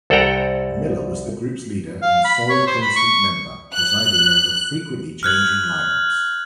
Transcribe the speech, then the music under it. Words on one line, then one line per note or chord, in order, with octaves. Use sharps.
Miller was the group's leader and sole constant member, presiding over frequently changing line-ups.
C2 A4 C5 F#5 G5 A#5
F5
B5
C#5
C5
B5
C#6
F#6
F6 F#6 G#6 F#7